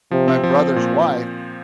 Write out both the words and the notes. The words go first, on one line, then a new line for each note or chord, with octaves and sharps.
my brother's wife,
C3 F3
C4
F3
C4
A#2